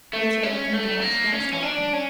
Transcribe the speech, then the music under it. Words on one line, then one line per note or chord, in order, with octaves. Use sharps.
Mitya, let them dance, don't stop them.
A3
C#4
A3
A#3
C#4
C#4
D4
C#4